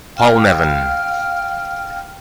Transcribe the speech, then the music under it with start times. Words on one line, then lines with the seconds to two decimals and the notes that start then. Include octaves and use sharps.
Paul Nevin.
0.16 F5 G5 F6